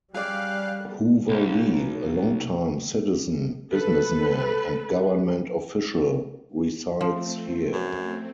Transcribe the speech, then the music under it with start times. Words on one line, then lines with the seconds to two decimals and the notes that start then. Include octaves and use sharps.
Hoover Lee, a long-time citizen, businessman, and government official, resides here.
0.14 G3 C#4 G4 G#4 D5 F5 F#6
1.29 B1
3.71 A4 B4
7.01 F3 A3 C4
7.73 F#2